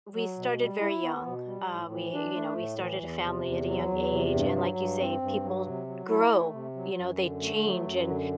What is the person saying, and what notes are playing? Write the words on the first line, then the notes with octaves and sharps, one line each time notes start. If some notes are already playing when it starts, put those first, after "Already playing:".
we started very young. Um, we, you know, we started a family at a young age, and like you say, people grow. You know, they change, and
F#3
B2
G3
E4
B3
B2
G3
A2
E3
D4
A3
A2
E3
E2
C3
E2
F#3
E2
C3
G2
F#3
G2
C4
G2
F#3
C3
F#3
E4
A3
C3
F#3
F#2
D3
A3
F#3
F#2
D3